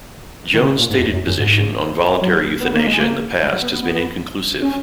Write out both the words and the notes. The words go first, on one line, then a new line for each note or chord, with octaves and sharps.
Jones's stated position on voluntary euthanasia in the past has been inconclusive.
D#3
C#3
A#2
G#2
E2
F#2
F#2
G#2
F#3
B3
A#3
G#3
A#3
G#3
F#3
B3
B3
B3
C#4